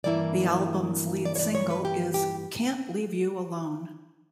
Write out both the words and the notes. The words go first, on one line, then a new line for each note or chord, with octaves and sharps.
The album's lead single is Can't Leave U Alone.
G2 E3 A#3 E4 D5
D5
C#5
D5
C#5
B4
G4
G4